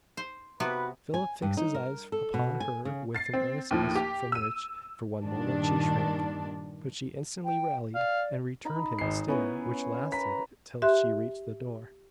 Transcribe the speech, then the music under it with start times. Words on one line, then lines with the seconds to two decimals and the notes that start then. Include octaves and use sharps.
Philip fixed his eyes upon her with an earnestness from which, for one moment, she shrank; but she instantly rallied, and returned him a stare which lasted till she reached the door.
0.17 C5
0.60 C3 B3 F#4 B4 F5
1.14 G#5
1.42 G2
1.57 D#4
1.74 A#4
2.12 A4
2.34 B2
2.60 G#5
2.85 C#3
3.15 A6 C7
3.33 C4
3.71 D#2 A2 F3
3.95 G4
4.32 E6 D#7
5.25 G2 A#2 D#3 D4
7.45 G5
7.95 D5 F5
8.65 D#4 B5
8.99 G#1 C7
9.28 B3 C#4 E4 B4
10.12 B4 A#5 B6
10.82 G4 E5 C6 F#6